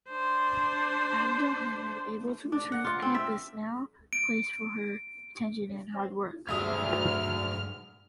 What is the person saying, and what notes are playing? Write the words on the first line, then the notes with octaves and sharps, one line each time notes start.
Abdul hamid able to return campus now place for her attention and hard work.
D4 C5
D4
F#5
F4
C4
E5
D7
D2 G2 F#3 G#3 E5 D#6 F6